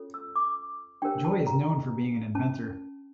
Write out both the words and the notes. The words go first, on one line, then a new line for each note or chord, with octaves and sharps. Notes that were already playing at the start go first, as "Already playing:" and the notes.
Joy is known for being an inventor.
Already playing: C#4 F4 A4 C#5
E6
D6
D4 G4 A#4 C#5 G5
A5
A#5
C#4 A5